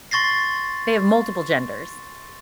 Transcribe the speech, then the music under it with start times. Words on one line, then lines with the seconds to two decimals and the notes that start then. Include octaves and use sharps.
They have multiple genders.
0.11 C6 C#6 A6 A#6 C7